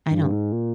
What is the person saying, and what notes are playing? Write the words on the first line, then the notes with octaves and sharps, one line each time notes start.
I don't
G2
G#2
A#2